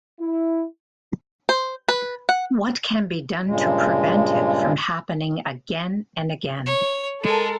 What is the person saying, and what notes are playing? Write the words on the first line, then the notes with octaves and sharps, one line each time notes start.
What can be done to prevent it from happening again and again?
E4
C5
B4
F#5
G2 A#2 C#3 G#3
C#5
G#3 A4 A#4